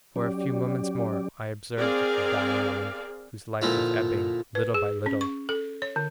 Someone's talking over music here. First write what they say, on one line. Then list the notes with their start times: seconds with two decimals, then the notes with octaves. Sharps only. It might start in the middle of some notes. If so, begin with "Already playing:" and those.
For a few moments more I observed the dying man, whose life was ebbing little by little.
0.16 F#3 C#4 G4 D5
1.77 C4 G#4 A#4 D5 F5
3.62 A#2 D3 F3 E4 F4
4.55 B4
4.74 G#4
5.06 C#4
5.21 C#6
5.49 A4
5.82 C#5
5.96 D3